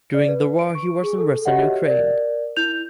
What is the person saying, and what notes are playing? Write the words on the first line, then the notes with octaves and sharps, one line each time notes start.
During the war he was in Western Ukraine.
D5
B4
D7
C#6
G#4
A4
F#4 G4 C#5 D#5 E5 F#5
A#4 D5
E4 G6 F7